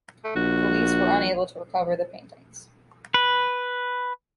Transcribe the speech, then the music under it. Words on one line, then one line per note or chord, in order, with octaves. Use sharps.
Police were unable to recover the paintings.
A3
A#1 F#4
B4